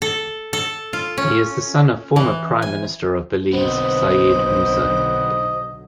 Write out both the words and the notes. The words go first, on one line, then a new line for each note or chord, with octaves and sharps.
He is the son of former Prime Minister of Belize Said Musa.
A4
A4
F4
C#4
E3
G#5
B1 D3 F#3 B3 C4 C5 D#5